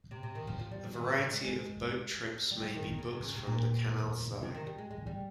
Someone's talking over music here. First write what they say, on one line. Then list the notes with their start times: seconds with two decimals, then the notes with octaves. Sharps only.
A variety of boat trips may be booked from the canalside.
0.11 C3
0.23 C3
0.35 D#3
0.47 F3
0.59 F3
0.71 G3
0.84 F3
0.95 D#3
1.07 C3
1.19 C#3
1.31 G#3
1.43 G#3
2.51 G3
2.63 F3
2.75 D#3
2.87 D#3
2.98 C#3
3.11 C3
3.23 C#3
3.35 C3
3.47 A#2
4.43 C3
4.54 D#3
4.66 G3
4.78 G#3
4.91 G#3
5.06 G3